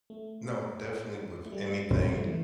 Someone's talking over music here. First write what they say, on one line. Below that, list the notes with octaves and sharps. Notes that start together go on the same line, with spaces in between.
No, definitely with anything,
A3
A3
G3
C4
A3
G3
E3